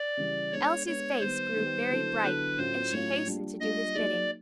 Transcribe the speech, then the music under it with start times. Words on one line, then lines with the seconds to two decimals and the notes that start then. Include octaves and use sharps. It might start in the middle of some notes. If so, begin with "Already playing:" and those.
Elsie's face grew very bright, and she hastened to do his bidding.
Already playing: D5
0.17 C#3 E3 G3
0.52 G#3 B3 D4 C#5
0.86 G#3 B3 D4 C#5
1.20 D#3 G3 B3 C5
1.55 D#3 G3 B3
1.89 D3 F#3 B3 E4 A4
2.23 D3 F#3 B3 E4 A4 B4
2.57 A2 F#3 A3 C#4 F4 C5
2.92 A2 F#3 A3 C#4 F4 C#5
3.26 G3 A#3 D4 F4
3.60 G3 A#3 D4 F4 D#5
3.94 F#3 A#3 D#4 G#4 D5